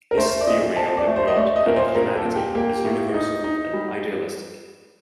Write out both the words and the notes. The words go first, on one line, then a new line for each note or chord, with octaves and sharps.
His theory of the world and of humanity is universal and idealistic.
A#4
A3 C5
D5
A#2 D#5
C4 A5
D5
A3
C5
D#5
A3 D5
D#5
A#2 A#4
C5
A#2 A#4
A4
A#2
G4
A#3 G4
A2
D#4
D#4
G3